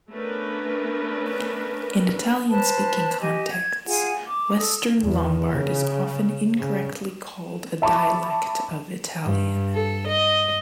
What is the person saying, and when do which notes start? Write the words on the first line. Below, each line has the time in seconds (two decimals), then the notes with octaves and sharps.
In Italian-speaking contexts, Western Lombard is often incorrectly called a dialect of Italian.
0.11 A3 B3 C#4 D4 A#4 B4
2.49 B4 C5 A5
3.21 G4 D#5 G#5
3.51 G#6
3.86 F4 G#4 F#5 G#5
4.26 D6
4.58 A4 D#6
5.03 E2
5.53 C#3
6.57 C#3
7.82 E5 A5 B5 C#6 D6
9.26 G2
9.74 A4
10.08 D#5